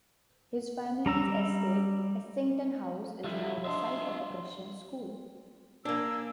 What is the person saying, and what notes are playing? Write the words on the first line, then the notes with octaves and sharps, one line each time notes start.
His family's estate "Essington House" is now the site of a Christian school.
G3 A#5 E6
D3 G3 E4 F4 E5
D4 F4 D#5 E5 C6
A#3 D4 D5 G#5 E6